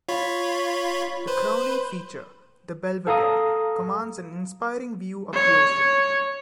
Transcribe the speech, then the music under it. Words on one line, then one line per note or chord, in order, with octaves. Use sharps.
The crowning feature, the belvedere, commands an inspiring view of the ocean.
F4 C#5 B5
B4 C5
A4 F5 A#5 D#6
C#5